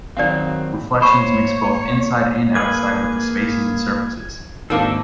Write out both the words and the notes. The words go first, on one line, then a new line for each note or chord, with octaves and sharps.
Reflections mix both inside and outside with the spaces and surfaces.
D#3 F#3 C4 D5 F5
A#3 C5 C#5 B5 C#6
A#3 G#4 B4 G#6
G#1 A#3 D4 D#4 A4